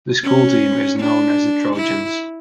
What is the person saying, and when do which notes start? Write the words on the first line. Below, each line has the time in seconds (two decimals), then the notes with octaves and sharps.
The school team is known as The Trojans.
0.23 C#4
0.99 D4
1.76 E4